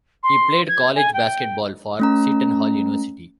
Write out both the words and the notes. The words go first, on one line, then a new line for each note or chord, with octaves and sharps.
He played college basketball for Seton Hall University.
C6
G#6
G#5
G5
A3 C#4 A#5